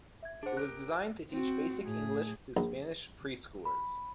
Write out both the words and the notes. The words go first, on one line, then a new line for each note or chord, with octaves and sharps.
It was designed to teach basic English to Spanish preschoolers.
E5 G#6
D4 G#4 C5 F#5
G4 A#4 F#6
C4 F#4
A2 G#4
A#1
B5